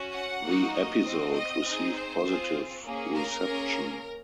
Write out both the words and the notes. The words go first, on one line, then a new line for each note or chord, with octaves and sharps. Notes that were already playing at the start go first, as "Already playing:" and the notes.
The episode received positive reception.
Already playing: C#4 F#4
F#5
A#3 D#4 F#4
D#5
C4 F#4
D#5
C4 D#4 G#4
C5
C4 F4 G#4
A#3 C#4 G#4
A#4
A#3 C#4 G#4